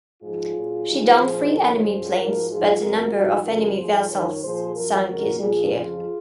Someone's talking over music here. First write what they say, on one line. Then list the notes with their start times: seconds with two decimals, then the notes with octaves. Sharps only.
She downed three enemy planes, but the number of enemy vessels sunk is unclear.
0.21 G#2 F3 F4 G#4
0.54 A#2 F#3
0.87 D#2 D#3 F#3
1.19 A#2 F3 G#4 C5
1.51 F2 C3 D#3 F#3 A#4 C#5
1.84 F#2 F3 G#4 C5
2.16 G#2 F3 F#4 A#4
2.48 G#2 F3 F4 G#4
2.80 F2 C3 F#3 F#4 A#4
3.13 G#2 F3 D#4 F#4
3.45 F#2 C#3 F3 F#4 A#4
3.78 G#2 F3 G#4 C5
4.10 F#2 D#3 F#3 A#4 C#5
4.42 A#2 F3 G#4 C5
4.75 F#2 F3 F#4 A#4
5.08 F2 C#3 F3 F#4 A#4
5.40 A#2 F3 F4 G#4
5.73 F2 C#3 F3 F4 G#4